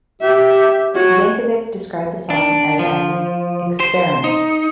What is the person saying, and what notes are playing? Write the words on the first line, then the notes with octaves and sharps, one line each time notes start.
Yankovic described the song as an "experiment".
G4 E5
F#4 C#5
D4
F3
C5
D#4